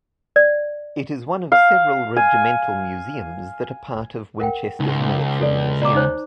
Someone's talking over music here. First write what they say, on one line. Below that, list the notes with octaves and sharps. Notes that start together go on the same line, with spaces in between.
It is one of several regimental museums that are part of Winchester's Military Museums.
D5
F5
G#5
A#4 F#5 G5
C#2 D#4
F#4 A4 D5
D5 A#5 D6
D#4 C5 C#5